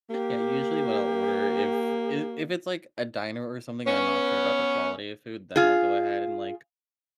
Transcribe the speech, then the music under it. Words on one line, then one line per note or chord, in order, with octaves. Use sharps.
Yeah, usually, what I'll order if it if it's, like, a diner or something, and I'm not sure about their quality of food, then I'll go ahead and, like
A#3 G4
B3 C#4
F4 G#4